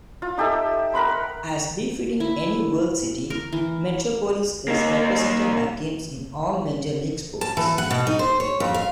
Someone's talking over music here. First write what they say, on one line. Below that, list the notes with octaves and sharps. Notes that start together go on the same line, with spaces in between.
As befitting any world city, Metropolis is represented by teams in all major-league sports.
F4
D#4 G4 A4 E5
A#4 F#5 B5 C6
E4
A#4
E3
A#3 D#4
A5
E3
F#5
B2
D#4
C5
C#5
F2
F5